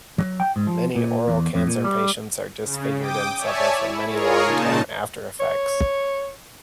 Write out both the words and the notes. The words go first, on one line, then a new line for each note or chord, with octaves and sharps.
Many oral cancer patients are disfigured and suffer from many long term after effects.
F#3
G5
G#2
F3
A#2
E2
F2
A#2
G3
C#3
G5 D6 D#6
C#5 D5 E5 G#5 A5
E4
F4 G#4 A#4 C#5
A#2 C#3 D#4 A5
C#5